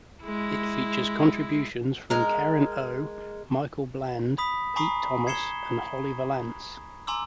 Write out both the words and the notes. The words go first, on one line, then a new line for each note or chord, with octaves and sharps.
It features contributions from Karen O, Michael Bland, Pete Thomas, and Holly Valance.
G#3 E4
G#3 A#4
B5 D#6 B6
G#5 A#5 B5 C#6 D#6 C7
G#6 C7 C#7 E7 G7
G#5 A#5 C6 D6 E6